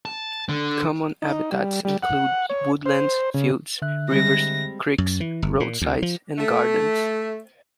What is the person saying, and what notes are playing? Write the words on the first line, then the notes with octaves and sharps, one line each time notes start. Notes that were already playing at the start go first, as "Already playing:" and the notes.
Common habitats include woodlands, fields, rivers, creeks, roadsides, and gardens.
A5
D3
D#4
G3
G3
F#5
C#5
C5
C#3
D3 E5 F#6
G3 G#3 C4 A#6
F#2
E3
G1
A#2
D2
F3
A3